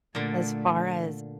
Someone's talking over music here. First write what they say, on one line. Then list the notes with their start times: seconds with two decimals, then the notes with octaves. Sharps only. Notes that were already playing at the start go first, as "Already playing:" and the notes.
as far as
0.15 A#2 D3 A3